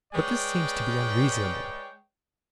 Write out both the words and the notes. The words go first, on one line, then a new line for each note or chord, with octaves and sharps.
But this seems to be unreasonable.
G#3 B4 C#5 D5 G5